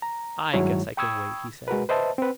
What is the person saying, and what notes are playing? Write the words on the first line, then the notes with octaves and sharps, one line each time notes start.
"I guess I can wait," he said.
A#5
G2 D#3 F#3 G#3 E4 C#5
G5 B5 C#6 D#6 E6 G#6
G#3 F#4 A#4 B4
B4 C5 D#5 E5 A5
C4 B4